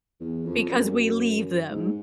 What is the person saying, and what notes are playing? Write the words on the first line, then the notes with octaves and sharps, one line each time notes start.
Because we leave them.
E2
F2
F#2
G#2